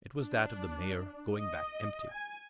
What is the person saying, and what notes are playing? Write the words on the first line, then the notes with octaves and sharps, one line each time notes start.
It was that of the mayor, going back empty.
D4
D#5
G#5